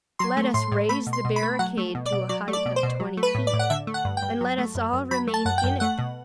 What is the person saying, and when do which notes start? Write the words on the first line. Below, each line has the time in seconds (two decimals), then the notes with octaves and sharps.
Let us raise the barricade to a height of twenty feet, and let us all remain in it.
0.19 F#3 C6
0.37 A3
0.54 A2 C6
0.72 A2
0.89 A3 B5
1.07 B2
1.13 C6
1.25 B2
1.36 B5
1.43 A3
1.59 F#3 F#5
1.78 A3
1.95 B2
2.06 D5
2.12 B2
2.29 F#3 D5
2.48 A3
2.53 D5
2.66 B2
2.76 C5
2.83 B2
3.00 F#3
3.17 A3
3.23 B4
3.35 A2
3.47 D5
3.53 A2
3.59 F#5
3.70 D3 E5
3.87 A3
3.94 F#5
4.05 G2
4.17 G5
4.22 G2
4.41 F#3
4.58 A3
4.75 F#2
4.93 F#2
5.11 F#3 B5
5.28 A3
5.34 A5
5.45 F#2 F#5
5.58 G5
5.64 F#2
5.80 A3 F#5
5.99 B2